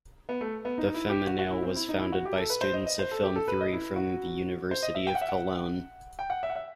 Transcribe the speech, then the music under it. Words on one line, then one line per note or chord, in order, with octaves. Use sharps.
The Feminale was founded by students of film theory from the University of Cologne.
B3
A3
B3
D#4
E4
G4
F#4
F#4
E4
C4
E4
D#4
E4
F#4
G4
A4
B4
C5
D#5
D#5
C5
A4
G4
A4
B4
D#5
E4
F#4
C5
D#5
E5
G5
F#5
E5
F#5
G5
F#5
E5
F#5
E5